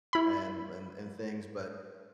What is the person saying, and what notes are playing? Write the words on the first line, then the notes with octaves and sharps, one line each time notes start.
and and and things, but
E4 B5